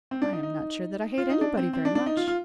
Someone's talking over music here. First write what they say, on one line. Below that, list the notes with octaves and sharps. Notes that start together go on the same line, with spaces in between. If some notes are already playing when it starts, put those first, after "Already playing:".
"I am not sure that I hate anybody very much."
C4
D4
D#4
D#4
F4
D#4
D4
C4
C4
D4
D4
D#4
F4
F4